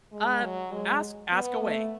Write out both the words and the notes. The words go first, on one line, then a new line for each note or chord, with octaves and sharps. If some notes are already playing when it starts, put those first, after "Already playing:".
uh, ask ask away.
G#3
F#3
G#3
B3
A3